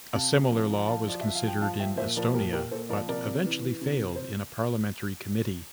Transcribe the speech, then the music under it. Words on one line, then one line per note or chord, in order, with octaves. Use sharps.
A similar law was considered in Estonia, but eventually failed in a parliamentary committee.
C3 F5 A5
C3
F3
F3
F3 F5 A5
F3 D5
F3 E5
F5
F3
G5
F3 F5 A5
F3 E5 G5
A#2 C5 E5
F3 A#4 D5
A#2 G4 A#4
A#2 G4 A#4
A#2 A4 C5
F3 A#4 D5
C3 A#4 D5
C3
E3
E3
C3
C3
C5